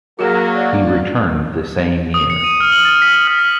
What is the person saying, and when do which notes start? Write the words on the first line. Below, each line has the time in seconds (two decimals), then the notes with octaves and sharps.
He returned the same year.
0.19 F#3 A#3 F#4 G#4 A#4
0.55 D5
2.14 D#6
2.30 C#7
2.44 D#7
2.60 F6
2.72 F#7
2.85 A6
3.02 B6
3.15 F#7
3.27 F6
3.39 B6